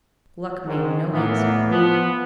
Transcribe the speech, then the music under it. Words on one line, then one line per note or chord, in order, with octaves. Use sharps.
Gluck made no answer.
G#2 D#3
A2 E3 A#3 B3
F3 B3